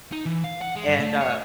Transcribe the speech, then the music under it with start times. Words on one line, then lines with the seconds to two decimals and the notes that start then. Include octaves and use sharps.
and uh,
0.13 D#4
0.26 E3
0.44 F5
0.61 F#5
0.76 G#3
0.88 G2
1.00 A3
1.21 C#5